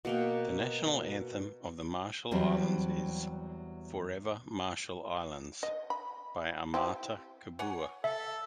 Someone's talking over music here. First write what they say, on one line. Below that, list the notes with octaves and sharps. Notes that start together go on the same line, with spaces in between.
The national anthem of the Marshall Islands is "Forever Marshall Islands", by Amata Kabua.
B2 A#3 G5
E2 F#3 G3 C4
D#5
B5
C4 E4 G4
C#5 F#5 G#5
A4 E5